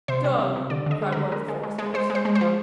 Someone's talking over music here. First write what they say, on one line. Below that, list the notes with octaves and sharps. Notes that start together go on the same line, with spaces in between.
"Done!" cried one of the foresters.
C3 C5
G3
C3
C3
D3 D5
D3 D#5
G#3 C5
D3 A#4
G#3 A#4
G#3
G#3
G#3
G#3 C5
G#3
C5
G#3
C5
F3